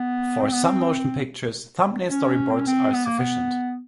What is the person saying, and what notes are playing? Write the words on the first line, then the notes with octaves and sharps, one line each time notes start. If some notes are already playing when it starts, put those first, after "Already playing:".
For some motion pictures, thumbnail storyboards are sufficient.
Already playing: B3
C4
B3
C4
C#4
C4
C#4
C4
B3
A#3
B3